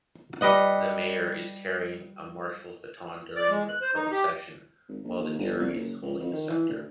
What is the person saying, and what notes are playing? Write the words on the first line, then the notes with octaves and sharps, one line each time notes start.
The mayor is carrying a Marshall's baton during the procession while the jury is holding a scepter.
G3 B4 D#5 F#5
D5
G#3
F#6
C5
D#4
G4
G#1
A#1
D#2
G1
C2
F#1
C#2
F2
D#3
E3
D2